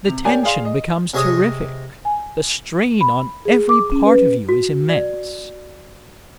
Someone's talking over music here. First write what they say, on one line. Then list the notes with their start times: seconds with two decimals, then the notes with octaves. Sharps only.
The tension becomes terrific, the strain on every part of you is immense.
0.05 C3 F7
0.25 G4 A#4 C#5 D5 G#5
0.43 G#4 D5 F5 C6
0.65 D#5
1.14 C3 G#4 C#5 D#5 D#6
2.05 G#5
3.01 B5
3.45 G#4
3.69 D6
3.92 C#4
4.06 B4
4.49 F#4
4.89 D5